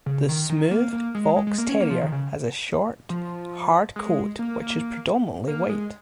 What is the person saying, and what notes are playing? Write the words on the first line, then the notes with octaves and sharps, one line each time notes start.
The Smooth Fox Terrier has a short, hard coat which is predominantly white.
C#3
D#3
D#3
A#3
A#3
G#3
G#3
G#3
A#3
C#4
A#3
F3
D#3
C#3
F3
G#3
A#3
A#3
G#3